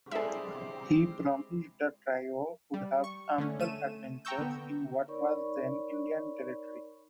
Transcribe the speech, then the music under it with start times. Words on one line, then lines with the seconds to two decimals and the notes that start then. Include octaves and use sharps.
He promised the trio would have ample adventures in what was then Indian Territory.
0.11 G#3 C4 D4 E4 G4 A4 E5 G#5
2.74 G3
3.04 C#6
3.38 D3 A3 C#4
3.59 A3 D#7 E7
4.25 G5 A#5 C#6 E6 G6
4.39 D3 B3
5.08 D#4 A#4 C#5 D5 B5 C#6